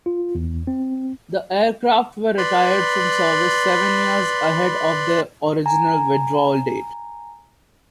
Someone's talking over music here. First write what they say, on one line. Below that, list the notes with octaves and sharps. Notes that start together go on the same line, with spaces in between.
The aircraft were retired from service seven years ahead of their original withdrawal date.
F4
E2
C4
B4 D5 B5 C6
G#5 A#5